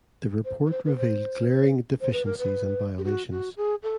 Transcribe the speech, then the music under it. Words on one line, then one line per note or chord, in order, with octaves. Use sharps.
The report revealed glaring deficiencies and violations.
C5
B4
C5
B4
C5
C5
B4
A#4
B4
G4
F#4
F#4
G#4
A4